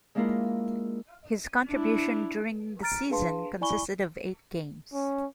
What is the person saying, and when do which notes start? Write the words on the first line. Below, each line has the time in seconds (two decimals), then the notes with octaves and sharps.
His contribution during the season consisted of eight games.
0.15 G#3 A#3 D4 E4 F4 A#4
1.69 D4 E4
2.82 A#5 F6 A6 D7
3.10 D4 G#4 B4 F5 A5 C6
3.61 E4 D5 G#5 B5 C#6 G7
4.93 C#4